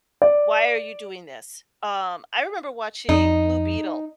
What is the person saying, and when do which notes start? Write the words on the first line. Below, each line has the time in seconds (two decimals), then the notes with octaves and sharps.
Why are you doing this? Um, I remember watching Blue Beetle,
0.22 D5
3.09 F2 D#4